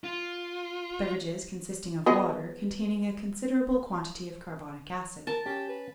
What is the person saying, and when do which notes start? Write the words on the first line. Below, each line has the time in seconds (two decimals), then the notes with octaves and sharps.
Beverages, consisting of water, containing a considerable quantity of carbonic acid.
0.04 F4
2.06 B3 G#4 D#5
5.27 A#4 A5
5.46 C#4 G4
5.68 B4